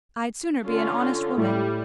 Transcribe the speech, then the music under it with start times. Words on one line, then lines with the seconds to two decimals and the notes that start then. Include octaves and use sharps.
"I'd sooner be an honest woman."
0.64 D3 C#4 F4
1.37 A2 G3